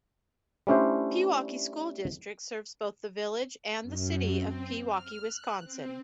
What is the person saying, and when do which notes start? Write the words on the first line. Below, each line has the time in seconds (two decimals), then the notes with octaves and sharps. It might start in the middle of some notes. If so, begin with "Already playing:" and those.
Pewaukee School District serves both the village and the city of Pewaukee, Wisconsin.
0.67 G3 A3 C#4 D4 E4 C5
3.82 F#2
4.31 C4
4.85 F6
5.23 F#6
5.63 C4